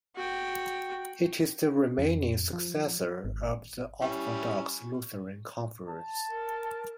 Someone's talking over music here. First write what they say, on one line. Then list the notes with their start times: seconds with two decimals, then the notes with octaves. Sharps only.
It is the remaining successor of the Orthodox Lutheran Conference.
0.15 F#4 G5
1.98 F2
2.53 F3
3.25 G#1
4.00 G3 C#4 E4
5.89 A5
6.29 A#4